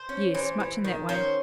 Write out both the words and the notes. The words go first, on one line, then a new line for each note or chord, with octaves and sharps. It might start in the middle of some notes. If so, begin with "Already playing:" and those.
'Yes, much in that way.
Already playing: C5
C#4
E3
E3
D#3
C#4 C5